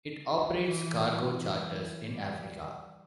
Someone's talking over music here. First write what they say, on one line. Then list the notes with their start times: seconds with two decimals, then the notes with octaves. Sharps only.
It operates cargo charters in Africa.
0.31 E3
0.67 E3
1.39 E3
2.12 G3